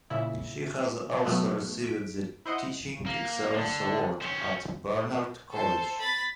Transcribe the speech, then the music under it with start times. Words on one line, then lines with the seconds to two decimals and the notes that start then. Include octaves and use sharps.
She has also received the Teaching Excellence Award at Barnard College.
0.10 A#2 C#3 E4
1.25 B2 F#3 G#3 A3 B3 F#4
1.86 B6 D7
2.45 E4 C5 D#5 F#5
3.06 A#3
3.55 D3
4.22 C#4 C5
5.50 A4 C5
5.99 B5 A6